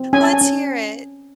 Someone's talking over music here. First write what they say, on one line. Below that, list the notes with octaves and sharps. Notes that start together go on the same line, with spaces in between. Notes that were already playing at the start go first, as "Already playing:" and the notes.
Let's hear it.
Already playing: C4
C#4 G#5
A5
G#5
C#4